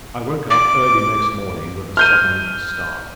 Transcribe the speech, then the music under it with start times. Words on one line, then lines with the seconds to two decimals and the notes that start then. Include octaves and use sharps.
I woke up early next morning with a sudden start.
0.50 D6
1.97 F6 G6 D#7